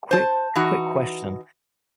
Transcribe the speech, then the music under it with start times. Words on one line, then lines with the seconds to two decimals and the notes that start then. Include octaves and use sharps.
quick quick question.
0.11 C5 A5
0.55 E3 D#4 F#4